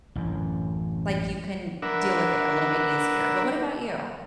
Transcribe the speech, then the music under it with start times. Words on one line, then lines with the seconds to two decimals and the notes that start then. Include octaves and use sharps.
like you can deal with it a little bit easier. But, what about you?
0.15 A1 F#2
1.82 D4 A#4 B4 E5 F#5